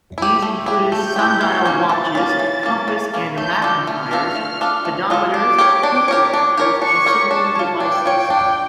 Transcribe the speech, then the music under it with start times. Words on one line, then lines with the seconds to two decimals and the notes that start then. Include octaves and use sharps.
These included sundial "watches," compass-and-magnifiers, pedometers, truth detectors, and signaling devices.
0.18 E4 G4
0.42 A3
0.66 E4 G4
0.92 A3 G6
1.16 E4 G4
1.41 E3
1.65 A#3 C#4
1.89 E3 A6
2.15 A#3 C#4
2.39 E3
2.63 A#3 C#4
2.88 E3
3.14 A#3 C#4
3.37 A3 G6
3.62 D4 F4 A4
3.87 A3 F6
4.11 D4 F4 A4
4.36 A3
4.61 D4 F4 A4
4.85 A3
5.10 D4 F4 A4
5.34 D4 D6
5.58 G4 A#4 C#5
5.83 D4
6.08 G4 A#4 C#5
6.34 D4
6.57 G4 A#4 C#5
6.82 D4 C#6
7.06 G4 A#4 C#5
7.31 D4 A5
7.55 F4 C#5
7.80 D4 G5
8.06 F4 C#5
8.30 D4